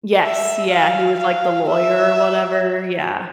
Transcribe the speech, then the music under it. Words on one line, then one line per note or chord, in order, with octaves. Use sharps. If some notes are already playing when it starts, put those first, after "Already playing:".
Yes, yeah, he was like the lawyer or whatever, yeah.
E5
F5
F5
E5